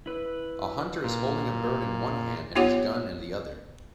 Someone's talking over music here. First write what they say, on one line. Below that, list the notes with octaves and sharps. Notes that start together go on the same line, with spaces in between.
A hunter is holding a bird in one hand and his gun in the other.
E4 B4
A#2
B3 D#4 F4 G4 C#5 F#5